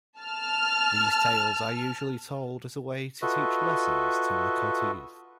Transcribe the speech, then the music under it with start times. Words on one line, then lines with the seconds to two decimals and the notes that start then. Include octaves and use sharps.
These tales are usually told as a way to teach lessons to Lakota youth.
0.20 A5 F6
3.22 F4 F#4 A4 B4 D#5 E5